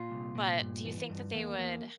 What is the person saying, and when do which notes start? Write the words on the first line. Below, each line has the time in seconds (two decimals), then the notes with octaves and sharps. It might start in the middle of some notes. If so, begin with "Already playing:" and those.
But do you think that they would
Already playing: A#2 F4
0.10 C2
0.35 A#2
0.60 G2
0.85 E3
1.10 G2
1.34 E2 A#3
1.58 E2 A#3